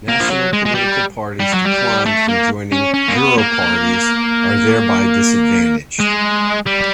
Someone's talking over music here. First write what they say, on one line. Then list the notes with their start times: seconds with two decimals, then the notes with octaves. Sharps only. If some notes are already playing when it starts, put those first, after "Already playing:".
National political parties disinclined from joining Europarties are thereby disadvantaged.
0.09 A#3
0.20 F3
0.30 F#3
0.53 G#3
0.65 G#3
0.75 G3
1.40 G3
1.52 F#3
1.65 G3
2.05 A3
2.28 A#3
2.72 C#4
2.94 C#4
3.08 A#3
3.15 B3
3.38 A#3
6.00 G#3
6.66 G3